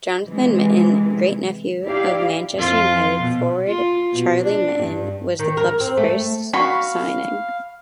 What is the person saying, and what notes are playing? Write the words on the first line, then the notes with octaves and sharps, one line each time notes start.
Jonathan Mitten, great-nephew of Manchester United forward Charlie Mitten, was the club's first signing.
C3 E3 G#3
D#4 E4 G4 D5 F5
F2 F4
B2
F4
B2
D4
G2
D#3
A#4
C4
A3
F#4 F5 F#5 B5 C#6